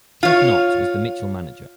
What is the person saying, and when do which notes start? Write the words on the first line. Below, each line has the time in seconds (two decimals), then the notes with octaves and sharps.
Cliff Knox was the Mitchell manager.
0.23 F4 C#5